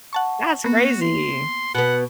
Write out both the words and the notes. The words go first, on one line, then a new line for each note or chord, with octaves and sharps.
That's crazy.
F#5 A5 C#6
A#3 B3 F#4
C6
B2 B3 F#5